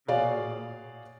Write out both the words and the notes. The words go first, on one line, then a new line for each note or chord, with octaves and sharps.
Oh, really? Wow.
F#4 G#4 C#5 D5 F5